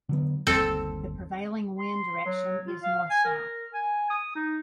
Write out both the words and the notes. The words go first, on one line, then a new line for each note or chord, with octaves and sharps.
The prevailing wind direction is North-South.
D3 F#3 B3
G1 D#2 G3 C4 A4
C6
F#3
F4
F5
G#5
A#4
G#5
D#6
D#4